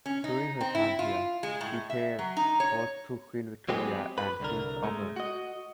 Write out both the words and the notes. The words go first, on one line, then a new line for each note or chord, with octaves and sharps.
During her time here, she played host to Queen Victoria and Prince Albert.
C#4
D#4
C4
E4
F4
G#3
A2
E5
F#3
D#4
C#5
F#3 G#3 B3 C4 G4 G#4
B4
C2 D3 A#4
G#3 A3
F#4 D#5